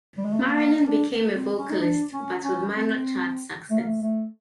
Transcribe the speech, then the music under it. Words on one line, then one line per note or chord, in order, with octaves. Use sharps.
Marilyn became a vocalist, but with minor chart success.
G3
G#3
A3
A#3
D4
C4
C#4
D#4
D4
C#4
C#4
C4
A3
A#3
A3
A3